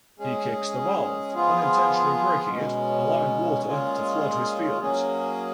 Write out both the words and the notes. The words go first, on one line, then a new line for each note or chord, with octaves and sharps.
He kicks the valve, unintentionally breaking it, allowing water to flood his fields.
G#3 C#4 G#4
F3 B3 F4 G#4
B2 G#3 C#4
A#2 G#3 C#4 F4 G#4
F#3 A#3 C#4 G#4